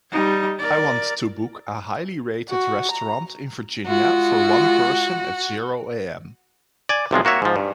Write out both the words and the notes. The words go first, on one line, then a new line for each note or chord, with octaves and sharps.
I want to book a highly rated restaurant in Virginia for one person at zero am.
G3 D#4
A#4 D5
F#4
A#5
G#3 F4 F#4
D5 G#5
B1 C3 F3 G#3
A#3 F#4 C#5 E5
G#2 F3
G2